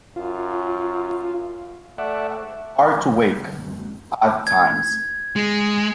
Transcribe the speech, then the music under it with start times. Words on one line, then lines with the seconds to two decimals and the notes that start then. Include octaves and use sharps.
I am hard to wake, odd times.
0.16 F#2 F4
1.98 A3 D5 E5 F#5
4.47 G#6
5.36 G#3